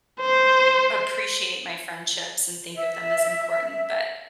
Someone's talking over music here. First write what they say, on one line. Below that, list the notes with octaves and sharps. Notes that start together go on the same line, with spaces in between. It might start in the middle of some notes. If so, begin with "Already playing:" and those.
appreciate my friendships and think of them as important, but,
C5
E5